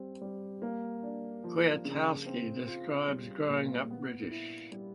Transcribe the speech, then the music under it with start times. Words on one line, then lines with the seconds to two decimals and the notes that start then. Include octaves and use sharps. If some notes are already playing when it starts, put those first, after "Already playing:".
Kwiatkowski describes growing up British.
Already playing: G3 C4
0.21 G3
0.62 A#3
1.03 D4
1.44 F3
1.85 C#3
2.26 C4
2.67 F4
3.08 G3
3.49 A#2
3.90 B3
4.31 E4
4.72 G3